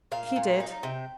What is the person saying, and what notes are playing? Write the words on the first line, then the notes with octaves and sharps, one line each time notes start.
"He did."
A#2 F5
A#2
D#4
C3 G5